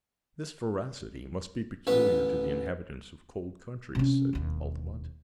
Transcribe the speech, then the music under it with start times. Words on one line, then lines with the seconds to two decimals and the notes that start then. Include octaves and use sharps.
"This voracity must be peculiar to the inhabitants of cold countries," said Altamont.
1.87 A1 B3 B4
3.95 C3 C#4
4.33 E1 D#2